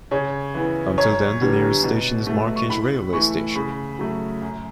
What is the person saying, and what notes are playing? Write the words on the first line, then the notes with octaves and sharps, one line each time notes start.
Until then, the nearest station is Markinch railway station.
C#3 C#5
E3 B3
F#2 C#5
D3 G3 B3
B2
A3
C#6
A2 B5
E3 A3 C#6
C#3 B5
F#3 A3
F#2